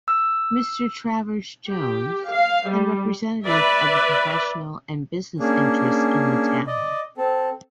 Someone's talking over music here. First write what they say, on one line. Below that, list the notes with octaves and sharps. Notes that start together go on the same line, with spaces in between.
Mr. Travers Jones, and representatives of the professional and business interests in the town.
E6
G4
F5
G3
B4 D5 E5
A#3 C#4 D4 G#4
D5 D#5
C4 A4